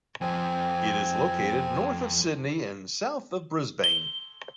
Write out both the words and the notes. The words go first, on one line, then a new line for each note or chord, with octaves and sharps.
It is located north of Sydney and south of Brisbane.
F2 C4 G#5
G7